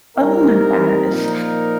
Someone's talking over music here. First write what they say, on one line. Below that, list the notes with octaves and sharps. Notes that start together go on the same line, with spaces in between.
Oh my gosh.
G3 C4 D#4 A#4
A#2 F3 A#3 D#4 A#4